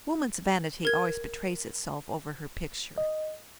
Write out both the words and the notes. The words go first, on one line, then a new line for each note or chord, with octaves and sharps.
Woman's vanity always betrays itself over her picture.
A#4 G#6
D#5